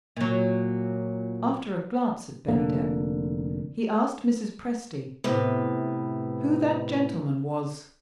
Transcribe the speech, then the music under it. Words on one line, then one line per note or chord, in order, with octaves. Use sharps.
After a glance at Bennydeck, he asked Mrs. Presty "who that gentleman was."
A#2 F#3
F1 D3 A#3
A2 C3 B3